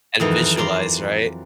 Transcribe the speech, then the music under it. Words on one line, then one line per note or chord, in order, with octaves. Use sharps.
And visualize, right?
F2 D#3 E3 F#3 D#5
D5 A#5 C6